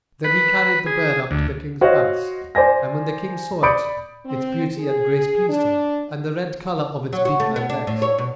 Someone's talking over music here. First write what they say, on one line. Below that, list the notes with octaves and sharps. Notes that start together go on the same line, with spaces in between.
Then he carried the bird up to the King's palace and when the King saw it, its beauty and grace pleased him and the red colour of its beak and legs.
B4
G#4
D2
F#4 C5 C#5 D#5 F5
C5 D5 G#5 A#6
D5 B5 D#6 G6 C#7 D7
C4
G#4
D4
F#3
F#4
A3
B3
D4
A2
C#5
B2